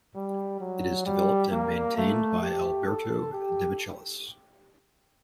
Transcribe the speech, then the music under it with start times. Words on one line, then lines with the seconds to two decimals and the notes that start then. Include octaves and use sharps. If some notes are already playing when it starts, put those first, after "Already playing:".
It is developed and maintained by Alberto Demichelis.
0.15 G3
0.60 F#3
1.05 G3
1.52 A#3
1.96 A3
2.42 G4
2.87 A4
3.33 G4